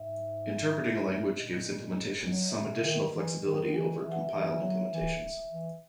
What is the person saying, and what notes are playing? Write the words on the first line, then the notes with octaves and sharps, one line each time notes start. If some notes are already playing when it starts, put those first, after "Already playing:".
Interpreting a language gives implementations some additional flexibility over compiled implementations.
Already playing: G#2 E5
A#2 D#5
D#5
D#5
C#5
F#3 D#5
E5
G#2
A#2 D#5
B2 E5
C#3
D#3
D#5
E3
D#3
D#3
E3
E3 E5
F#5
E5
E3
E3
F#3
E3
E3